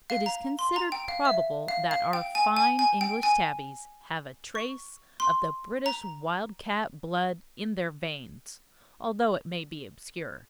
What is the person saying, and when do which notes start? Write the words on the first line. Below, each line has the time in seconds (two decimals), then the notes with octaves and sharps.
It is considered probable that our fine English tabbies have a trace of the British wild-cat blood in their veins, although it may be obscure.
0.10 F5
0.26 A#5
0.59 C6
0.76 A#5
0.92 G5
1.08 F5
1.25 E5
1.68 F5
1.91 F5
2.13 G5
2.35 G#5
2.57 G#5
2.79 G#5
3.01 G5
3.23 G#5
4.55 C#6
5.20 C6
5.86 A#5